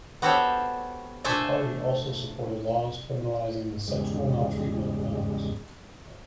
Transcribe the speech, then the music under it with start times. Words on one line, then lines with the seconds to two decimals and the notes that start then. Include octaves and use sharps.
The party also supported laws criminalizing the "sexual maltreatment" of animals.
0.22 B3 F#4 G4 A4 C5 C#5
1.24 A3 D4 A4 C5 E5 G#5
3.88 E2 G#2 C#3 G3 G#3